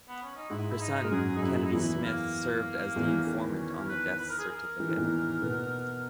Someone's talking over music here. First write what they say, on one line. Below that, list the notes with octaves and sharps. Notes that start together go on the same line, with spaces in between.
Her son Kennedy Smith served as the informant on the death certificate.
B3
C#4
D#4
G#2 G#3 E4
E4
D#4
G#3 A#4
F#2 F#3 G#4
D#4
F#2 F#3 E4
D#4
E2 E3 E4
A#3
E2 E3
D#3
C#4
A#4
B4
B4
A#4
G#4
A#4
E3
D#3
E2 E3
B2 B3